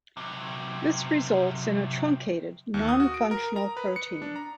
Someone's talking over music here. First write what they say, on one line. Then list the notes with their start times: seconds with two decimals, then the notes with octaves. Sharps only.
This results in a truncated non-functional protein.
0.17 C3 F#3
2.74 D#2
2.89 D#6
3.00 F#4
3.14 D7
3.31 A#4
3.56 A#5
3.77 B4
3.96 C#7
4.22 D4
4.36 A#5